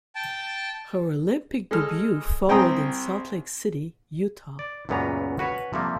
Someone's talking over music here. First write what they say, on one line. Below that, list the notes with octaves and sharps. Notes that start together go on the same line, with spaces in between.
Her Olympic debut followed in Salt Lake City, Utah.
G5 A5
G#3 A4 F6
C2 C4 G5 G#5 A#5 D#6
D5
C#2 F#2 A#2 B3 C#4 A#5
C#4 F#4 B4 C#5
C3 F3 G3 A3 A#3